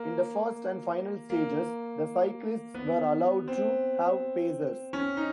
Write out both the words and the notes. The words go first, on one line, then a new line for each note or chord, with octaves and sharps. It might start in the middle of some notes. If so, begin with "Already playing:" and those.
In the first and final stages, the cyclists were allowed to have pacers.
Already playing: A#3
A#3
B3
C4
C#4
D#4